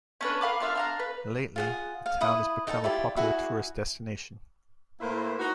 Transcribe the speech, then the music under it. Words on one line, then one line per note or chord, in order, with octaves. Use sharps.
Lately, the town has become a popular tourist destination.
C#4 D4 B4
A#4 F5 B5 D6
D4 F4 E5 F5
D4 F5 A#5
B4
F4 G#4 F#5
F5
E4 B4 D#6
D#4 A4 F#5 A5
E4 F4 G4 D5
E4 F#4 G#4
A2 A#3 E4 B4 C5
D#4 F#4